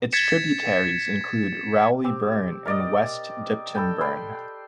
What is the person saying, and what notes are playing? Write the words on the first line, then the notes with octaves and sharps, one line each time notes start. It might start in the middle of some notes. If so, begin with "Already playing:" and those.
Its tributaries include Rowley Burn and West Dipton Burn.
G#6 A6 B6 C#7 E7
C4 G4
A#4 D5 D#5
A4 B4 G5
B4 G5 C6